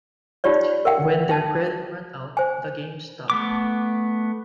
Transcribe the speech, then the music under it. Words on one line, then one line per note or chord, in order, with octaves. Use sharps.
When their credit ran out, the game stopped.
D#4 F4 G4 C#5 D5
A#4 E5 F#5 G5
G5 A5
C5 G#5
A3 B3 D6